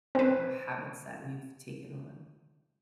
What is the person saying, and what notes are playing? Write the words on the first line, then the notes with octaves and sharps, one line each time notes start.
uh, habits that we've taken on.
C4 B4 C5